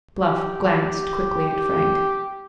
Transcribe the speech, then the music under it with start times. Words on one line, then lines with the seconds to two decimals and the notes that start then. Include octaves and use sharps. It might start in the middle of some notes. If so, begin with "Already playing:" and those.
Bluff glanced quickly at Frank.
0.22 G4
0.65 G4
1.49 G4